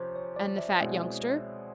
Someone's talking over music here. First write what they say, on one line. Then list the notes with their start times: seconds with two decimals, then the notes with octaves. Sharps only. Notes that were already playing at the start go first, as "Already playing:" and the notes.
"And the fat youngster?"
Already playing: C3 F3 C#4 C5
0.16 C#5
0.36 D5
0.58 E5
0.80 B2 G#3 C4 E4